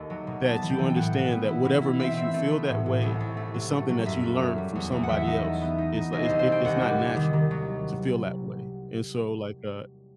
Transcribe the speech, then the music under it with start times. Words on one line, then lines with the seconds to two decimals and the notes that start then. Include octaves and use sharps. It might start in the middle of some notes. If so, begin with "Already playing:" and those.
that you understand that whatever makes you feel that way is something that you learned from somebody else. It's li it's it it's not natural to feel that way. And so, like, uh,
Already playing: D#2 A3
0.10 F#3
0.27 B2
0.45 B3 A5
0.62 E3
0.70 G5
0.79 E3
0.90 G5
0.96 A2 F#5
1.14 E3
1.31 B3
1.48 E4
1.65 B2
1.82 E4
1.99 C4 E5
2.17 C4
2.34 A3
2.51 B3
2.69 A2
2.86 A2
3.02 C2
3.20 C2
3.37 A3
3.54 F#3
3.72 A3
3.89 F#3
4.06 F#2 E5
4.23 A3
4.40 F#3
4.58 G3
4.75 E2
4.92 E2
5.03 F#5
5.09 E3 E5
5.27 D#4
5.44 A3
5.62 B3
5.78 D#4
5.96 D#4
6.13 C2 D#5
6.25 C2 C5
6.39 C5
6.48 C4 G5
6.65 D#2 F#5
6.81 G3
6.99 G3
7.16 D#3
7.33 D#3
7.51 F#3